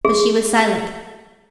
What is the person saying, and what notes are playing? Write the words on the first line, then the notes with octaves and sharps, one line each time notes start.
But she was silent.
G#4